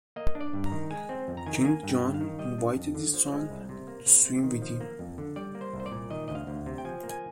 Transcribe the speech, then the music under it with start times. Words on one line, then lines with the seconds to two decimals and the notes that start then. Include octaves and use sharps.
King John invited his son to swim with him.
0.16 A#3 D#5
0.35 D4
0.41 D5
0.53 G2
0.66 A#5
0.72 D#3
0.91 G#3 G#5
1.09 C4
1.28 F2
1.37 A#5
1.46 D#3 G#5
1.55 A#5
1.65 A#3 G#5
1.83 G2
1.89 G5
2.02 G2
2.14 F5
2.21 D#3
2.39 G3 D#5
2.58 D4
2.77 F2
2.95 D3
3.14 F3
3.32 G#3
3.50 C2
3.69 C3
3.88 A#3
4.06 C3
4.25 C3
4.43 D#3
4.62 F3
4.81 A#3
4.99 F2
5.18 D3
5.36 G3 D5
5.55 A#3
5.61 C5
5.73 C2
5.80 C5
5.86 D5
5.92 A#2
6.10 D#3 D#5
6.28 D2 D#5
6.35 F5
6.47 D2
6.66 C3
6.78 G5
6.85 F3 G#5
7.03 A#3
7.10 G#5